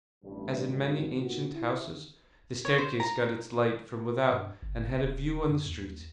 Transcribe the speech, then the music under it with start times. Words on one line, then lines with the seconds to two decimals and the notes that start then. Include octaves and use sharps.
As in many ancient houses, the staircase got its light from without and had a view on the street.
0.24 A1 G2
0.68 G1 G#2 C3 D#3 G#3 F#4
1.17 A#2 B3 D#4 F4 F#4
1.54 E4
2.65 C#5
2.78 C5
3.00 A#5
4.30 G2
4.62 G1
4.97 D1
5.49 F#2
5.66 D#2